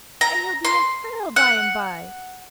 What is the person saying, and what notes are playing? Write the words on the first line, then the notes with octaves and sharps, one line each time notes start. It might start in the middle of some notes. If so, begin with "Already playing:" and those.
And he'll be an earl by-and-by.
A#5
C6
F#5